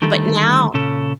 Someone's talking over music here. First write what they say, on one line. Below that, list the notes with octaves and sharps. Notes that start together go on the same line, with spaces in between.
but now
D3 D#3 G3 A3 A4
A#2 C#3 C#4 A4